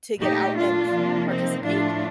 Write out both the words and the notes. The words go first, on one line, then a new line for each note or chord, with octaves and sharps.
to get out and participate.
A#2 A3 D#4 G4
D4 F4
C3 F3 A#3
C4 D#4
A2 F3 A3 D4 F4